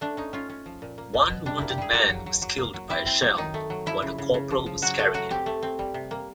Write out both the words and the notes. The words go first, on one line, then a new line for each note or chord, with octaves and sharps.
One wounded man was killed by a shell while the corporal was carrying him.
A3 D4
C#4 D#4
C#4 F4
C#4
F3
A#2
A#3
B2
B2
G3 D4
A#3 E4
G4
G3 G#4
A#3 F#4
F#3
F#3
F#3
A#3
F#3
C4 E4
C4
F#3
D#3 D#4
A3
F#3
F3 E4
C#3
C#3
C#3
F3
F3
F#3 F#4
A3 F#4
F#3 F#4
C4 G4
A3
C4
G3
C3
A#3